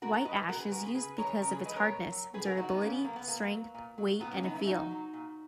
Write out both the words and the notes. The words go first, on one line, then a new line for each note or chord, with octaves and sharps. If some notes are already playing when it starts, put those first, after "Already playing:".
White ash is used because of its hardness, durability, strength, weight and feel.
B2 F#4 A#4
A#4 C#5
G#3 B4 D#5
B2 F#4 A#4
G#4 B4
G#3 F#4 A#4
G#4 B4
C#3 G#4 B4
E3 G#3 A#4 C#5
C#3 A#4 C#5
G#4 B4
E3 G#3 B4 D#5
A#4 C#5
B2
F#3
B2 G#4 B4
F#4 A#4
F#3 D#4 F#4
B3 D#4
A#2 A#3 C#4
B3
F#3 A#3
B3
A#2 A#3
F#3
A#2
F#3
A#2 B3
A#3 C#4
F#3 B3 D#4
C#4 E4
A#2 D#4 F#4
F#3
A#2